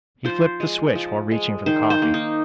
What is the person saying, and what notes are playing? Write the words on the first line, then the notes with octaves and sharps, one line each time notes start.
He flipped the switch while reaching for the coffee.
F3 C5
G#3
F3
G#3
D#3 C5
C5
A#3
D#4